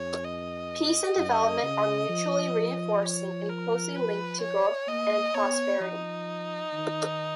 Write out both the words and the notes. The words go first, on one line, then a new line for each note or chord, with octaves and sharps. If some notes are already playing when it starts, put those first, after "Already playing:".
Peace and development are mutually reinforcing and closely linked to growth and prosperity.
Already playing: F2 C#5
D#5
F#2
C#3
F3
C#5
A#4
B4
C#5
A#3 D#5
B3 C#5
F3 D#4
D#3